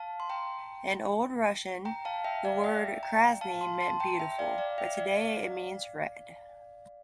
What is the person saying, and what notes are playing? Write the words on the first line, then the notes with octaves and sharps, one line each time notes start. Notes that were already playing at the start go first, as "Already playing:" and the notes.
In old Russian the word "krasny" meant "beautiful", but today it means "red".
Already playing: F5 A5
C6
G5 A#5
G5 A#5
F5 A5
E5 G5
D5 F5
E5 G5
G5 A#5
F5 A5
A5 C6
A5 C6
G5 A#5
E5 G5
G5
D5 F5
D5 F5
E5 G5
D5 F5